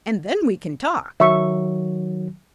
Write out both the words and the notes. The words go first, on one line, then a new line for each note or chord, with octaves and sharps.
And then we can talk.
D#3 F#3 E5 C#6